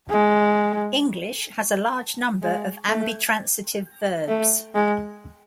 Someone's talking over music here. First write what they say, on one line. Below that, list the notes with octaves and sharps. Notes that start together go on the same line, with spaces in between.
English has a large number of ambitransitive verbs.
G#3
G#3
A3
A3
G#3